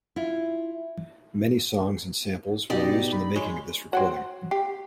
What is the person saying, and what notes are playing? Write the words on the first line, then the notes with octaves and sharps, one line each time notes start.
Many songs and samples were used in the making of this recording.
E4 F4
B2 D#4 G4 D5
B5
G#3 C#5
F#4 C5 C#5 F#5 G5
G4 C7